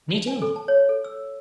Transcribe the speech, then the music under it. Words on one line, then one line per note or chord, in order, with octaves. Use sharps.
Me too!
G#5
A4
A5
C#5
A4
E6